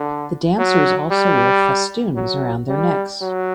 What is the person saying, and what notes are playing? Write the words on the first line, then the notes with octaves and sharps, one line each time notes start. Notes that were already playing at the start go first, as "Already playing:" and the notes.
The dancers also wear festoons around their necks.
Already playing: D3
F#3
G3
F#3
G3
F#3